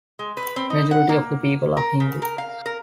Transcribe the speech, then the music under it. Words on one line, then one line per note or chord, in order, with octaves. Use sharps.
Majority of the people are Hindu.
G#3
B4
C4
D#4
F#5
A#3
A#4
C#3
A#4
F5
A#4